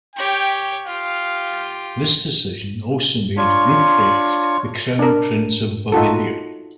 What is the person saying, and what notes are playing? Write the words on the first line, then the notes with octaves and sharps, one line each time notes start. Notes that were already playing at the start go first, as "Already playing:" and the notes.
This decision also made Rupprecht the crown prince of Bavaria.
G4 C#5 G5
F4 G4 F5
D4 F4 C#5 C#6
D4 A#4
D#4 F4 F#4 A4